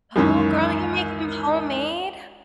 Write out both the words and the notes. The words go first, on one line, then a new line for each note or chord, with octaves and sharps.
Oh, girl, you make them homemade?
C#2 F#2 D#3 E3 C#4